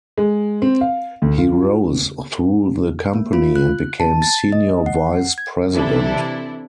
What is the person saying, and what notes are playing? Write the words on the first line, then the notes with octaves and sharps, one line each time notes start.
He rose through the company and became senior vice-president.
G#3
C4
F5
D2
F4
A#3
F4
F#6
A5
A6
D#5
F#5
G#6
C3 E3 D4 E4 A4